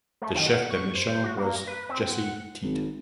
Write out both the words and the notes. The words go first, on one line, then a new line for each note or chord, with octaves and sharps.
The chef de mission was Jesse Teat.
A3
D#3
F#5
C#6
C5
F#4
A#3
A#6
B4
C4
F#5
G#1